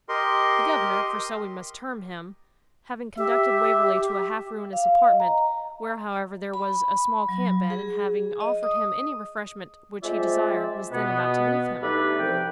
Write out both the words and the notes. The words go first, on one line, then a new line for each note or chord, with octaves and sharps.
The governor, for so we must term him, having conducted Waverley to a half-ruinous apartment, where, however, there was a small camp-bed, and having offered him any refreshment which he desired, was then about to leave him.
G4 A#4 D#5 C6
G4 E5
F5
D#5
A#5
B5
F#3
G#4
D#5
D#6
G#3 C4 F4 C5 D5 E5
B2 B3
A3 D4 D#4 G4 A4 B4
C2 F3 G5